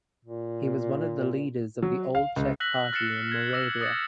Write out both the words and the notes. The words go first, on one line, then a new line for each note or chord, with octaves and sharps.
He was one of the leaders of the Old Czech Party in Moravia.
A#2
F#3
F5
C#2
E6 F#6 A#6 B6 F#7
F6 A6 C7 C#7 E7
G#6
D6 E6 A#6 E7
D#6 G#6 A6 C#7